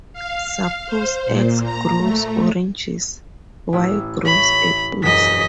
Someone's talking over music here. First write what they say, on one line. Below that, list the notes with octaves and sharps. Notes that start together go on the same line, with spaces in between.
Suppose X grows oranges, Y grows apples.
F5
C5
A#2
A#5
A3
A1 E4 E6
C#5 E5 B5
E1 F#2 D#5 D#6 B6